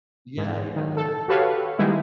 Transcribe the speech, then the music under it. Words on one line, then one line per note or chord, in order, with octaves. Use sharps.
Yeah, yeah.
G#2
D#3
A4
F#4 G4 A4 B4 C#5 F5
D#3 G3 G#3 B3 D#4 E4